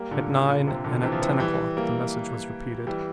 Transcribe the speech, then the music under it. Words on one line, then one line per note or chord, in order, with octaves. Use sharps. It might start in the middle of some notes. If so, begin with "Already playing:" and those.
At nine and at ten o'clock the message was repeated.
Already playing: G3 A#3
A#2 D3
A#2
A#2
C3
A#2 D3
C3 E3
F3
C3 E3
E3 G3
G3 A#3
E3 G3